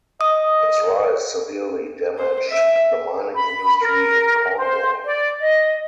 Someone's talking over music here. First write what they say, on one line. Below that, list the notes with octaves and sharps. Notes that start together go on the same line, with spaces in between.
Its rise severely damaged the mining industry in Cornwall.
D#5 D#6
C5
E5
B5
A#4
C5
D5
D#5